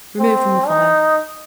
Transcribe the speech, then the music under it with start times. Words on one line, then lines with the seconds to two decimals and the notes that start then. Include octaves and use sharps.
Remove from the fire.
0.19 C4
0.68 D#4